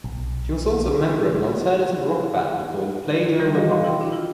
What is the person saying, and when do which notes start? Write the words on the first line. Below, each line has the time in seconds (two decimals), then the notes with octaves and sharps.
She was also a member of an alternative rock band called Playdoh Republic.
0.04 B1
3.39 D#3 E3 G3
3.55 F#4 D#5 F5
3.69 B5 C6
3.84 E4 G5
4.01 D4
4.12 E4 F4